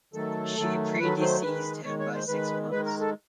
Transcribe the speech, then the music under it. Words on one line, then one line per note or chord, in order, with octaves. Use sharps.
She pre-deceased him by six months.
D#3 F#3 A3 A4
D#3 F#3 A3
D#3 F#3 A3 B4
C5
D#3 G#3 B4
D#3 G#3 C#5
C#5
C5
D#3 G#3 B4
D#3 G#3 B4
A#4
A4